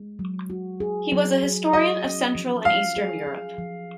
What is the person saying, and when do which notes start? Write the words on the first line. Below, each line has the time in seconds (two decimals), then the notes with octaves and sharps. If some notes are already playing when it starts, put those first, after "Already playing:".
He was a historian of Central and Eastern Europe.
Already playing: G#3
0.19 F#3
0.50 F#4
0.80 G#4
1.12 F#3
1.43 G#4
1.73 F#4 D#5
2.05 C#4
2.35 F3
2.65 F4 F5
2.96 G#4
3.27 G#4
3.58 F3